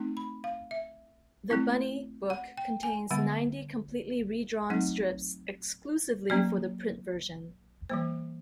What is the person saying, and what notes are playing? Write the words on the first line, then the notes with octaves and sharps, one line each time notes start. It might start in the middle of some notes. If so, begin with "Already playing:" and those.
The "Bunny" book contains ninety completely redrawn strips exclusively for the print version.
Already playing: A3 C4 D#4
B5
F5
E5
A3 C4 E4
F#5
G5
G#5
D3 G3 B3 F#5
F#3 A3 C4 D#4 F#5
F#3 A#3 C#4 D5
E3 G3 A#3 C5